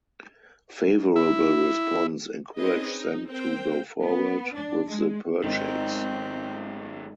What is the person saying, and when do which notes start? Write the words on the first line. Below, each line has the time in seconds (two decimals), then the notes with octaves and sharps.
Favorable response encouraged them to go forward with the purchase.
1.16 E4
2.59 C4 C#4 D#4 G#4 B4 D#5
2.93 D#4
3.30 C4 A#4 C5 G5
4.03 B3
4.54 D4
4.86 G#3
5.44 G#1 F#2 D#3 C4 D#4